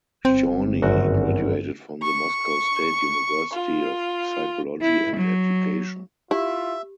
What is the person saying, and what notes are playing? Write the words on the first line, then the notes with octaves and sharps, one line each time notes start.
Chorny graduated from the Moscow State University of Psychology and Education.
G1 C4
G#1 F#2 F#4
C#6
F4
E4
F#3
E4 F4 G4 E5